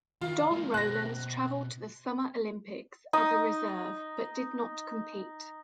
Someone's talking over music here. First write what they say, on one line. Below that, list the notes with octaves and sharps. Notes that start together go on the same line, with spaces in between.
Don Rowlands travelled to the Summer Olympics as a reserve butdid not compete.
D#3 E3 F4
G#3 A#3
B2 C5 F#6 A#6
D#4 D#6